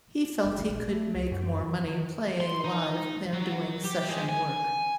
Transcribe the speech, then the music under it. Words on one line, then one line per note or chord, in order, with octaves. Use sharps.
He felt he could make more money playing live than doing session work.
F1
A#1
A3
C#2
F#2
F2
D#3
C6
D#4
F#3
G4
G#3
G#5